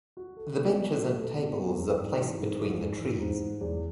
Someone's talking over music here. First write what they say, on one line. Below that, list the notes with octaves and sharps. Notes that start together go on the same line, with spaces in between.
The benches and tables are placed between the trees.
F#4
A4
B3
F#3
F#4
A4
B3
F#3
G#3
G#2
E3
G#2
G#3
G#2
E3
G#2
G#3
E2